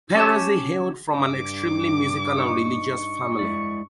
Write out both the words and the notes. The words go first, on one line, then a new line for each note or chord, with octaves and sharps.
Perosi hailed from an extremely musical and religious family.
C#4 G4 C#5 A5
G2 D6
D#4 C#6
G#3 E4 D5